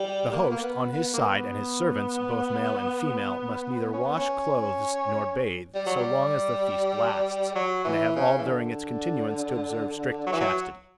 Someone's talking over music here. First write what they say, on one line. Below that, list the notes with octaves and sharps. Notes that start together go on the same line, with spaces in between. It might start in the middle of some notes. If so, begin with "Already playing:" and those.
The host, on his side, and his servants, both male and female, must neither wash clothes nor bathe so long as the feast lasts, and they have all during its continuance to observe strict chastity.
Already playing: G3
A#3
B3
A#3
B3
B3
A#3
B3
C#4
B3
C#4
G3
F#3
G3
F#3
E3
C#3
E3
D3
F#3
E3
F#3